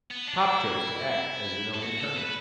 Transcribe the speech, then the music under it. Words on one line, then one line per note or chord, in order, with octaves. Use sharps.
Kopp chose to act as his own attorney.
B3
D4
E4
A4
F#4
A4
B4